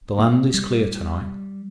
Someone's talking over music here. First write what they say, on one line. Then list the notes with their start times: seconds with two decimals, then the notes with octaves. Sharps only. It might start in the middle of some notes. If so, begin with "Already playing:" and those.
The land is clear to-night.
0.19 A#3
0.54 G3